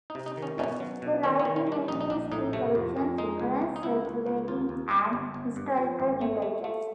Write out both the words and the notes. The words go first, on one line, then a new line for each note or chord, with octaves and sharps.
The Library maintains three collections: Reference, Circulating, and Historical Intelligence.
D#4
C3
D#4
D#3
C#4
B2 C#4
F#3
B2
D#3 C4
B3
D#3
C#4
G3
D4
A#1 D#4
D#4
A#1 D4
A2 D#4
C3 A3
F2
F2
G#3 D#4
C#2
C#2
D#4
C#2 E4
C#2
C#2
D#2 F4
D#2
G3
G1
G1
G2
F3
G#1
A3
A3
A3